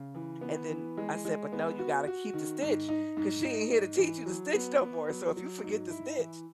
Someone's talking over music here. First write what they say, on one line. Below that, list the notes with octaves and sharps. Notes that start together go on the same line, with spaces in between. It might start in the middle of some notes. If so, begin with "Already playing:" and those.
and, then, I said, "But, no, you gotta keep the stitch 'cause she ain't here to teach you to stitch no more. So if you forget to stitch,
Already playing: C#3
E3
B3
E3
G#3
G#3
B3
F#4
F#4
D#3
G#2
D#4
G#2
D#4
G#2
E3
F#3
B3
B3
F#3
F#3
G#2
E4
E3